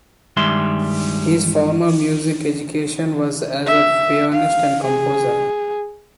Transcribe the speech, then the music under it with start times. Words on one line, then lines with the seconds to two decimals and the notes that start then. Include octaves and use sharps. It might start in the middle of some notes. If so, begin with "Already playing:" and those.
His formal music education was as a pianist and composer.
0.37 G2 D#3 G3 G#3 E5 C6
3.67 E5
4.33 F5
4.83 G#4